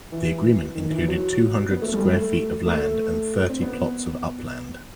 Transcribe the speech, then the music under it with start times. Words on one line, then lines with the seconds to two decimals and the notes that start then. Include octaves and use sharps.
The agreement included two-hundred square feet of land and thirty plots of upland.
0.12 E3
0.75 D#3
0.91 E3
1.08 F#3
1.71 B3
1.82 A3
1.94 G3
2.04 A3
2.66 A3
3.49 C4
3.62 B3